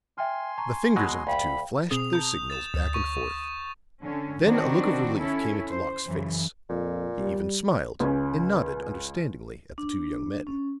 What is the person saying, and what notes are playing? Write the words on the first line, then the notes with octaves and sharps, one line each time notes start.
The fingers of the two flashed their signals back and forth; then a look of relief came into Locke's face; he even smiled, and nodded understandingly at the two young men.
E5 G5 G#5 C6 F6
A5 A#5 C#6
B2 F#3 G#3
D2 F5 G5 B5
B2 C4 G#4 D#6 F7
A5 A#5 G6
A6 E7
D2
C#6
D3 C#4
D#3 B3 C4 D4 F#4
C#4 E4 A4
C5
F#2 C#3 E3
F2 A#2
G3
C#2 C#4
D4
C#4